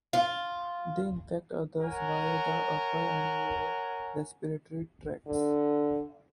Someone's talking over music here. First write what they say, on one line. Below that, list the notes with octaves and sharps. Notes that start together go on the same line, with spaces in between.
They infect others via the upper and lower respiratory tracts.
F4
A#4 C#5 F#5 G#5
D3